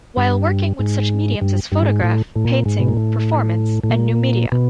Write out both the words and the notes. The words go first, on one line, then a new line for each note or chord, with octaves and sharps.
While working with such mediums as photograph, painting, performance and new media.
G2
G#2
G2
G2
G#2
A2
A2
A#2
G#2
B2
A#2
A2
A2
A#2
B2